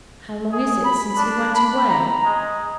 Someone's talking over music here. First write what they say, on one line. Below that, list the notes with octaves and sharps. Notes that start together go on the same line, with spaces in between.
'How long is it since he went away?'
G#4
B5
D4
B5
A#5
G#3